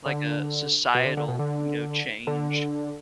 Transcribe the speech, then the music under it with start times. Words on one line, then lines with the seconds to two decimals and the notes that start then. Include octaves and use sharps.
Like a, societal, you know, change.
0.06 D3
0.94 B2
1.05 D3
1.17 D3
1.28 B2
1.39 D3
2.27 D3